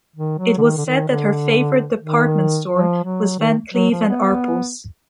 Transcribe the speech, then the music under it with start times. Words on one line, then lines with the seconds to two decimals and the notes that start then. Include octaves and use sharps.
It was said that her favorite "department store" was Van Cleef and Arpels.
0.16 D#3
0.39 F#3
0.58 D3
0.62 D#3
0.77 D3
0.86 D#3
1.08 D3
2.01 D#3
2.70 F3
3.04 F#3
3.39 D#3
3.74 F#3
3.91 F3
4.08 B3